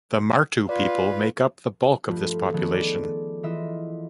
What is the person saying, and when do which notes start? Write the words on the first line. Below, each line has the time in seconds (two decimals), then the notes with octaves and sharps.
The Martu people make up the bulk of this population.
0.69 F4 B4 D5
2.07 G2 F3 A3 F4 B4
2.54 D#3 F3 A3 B3 C#4 G#4
2.73 D5
3.43 E3 F4 D#5 E5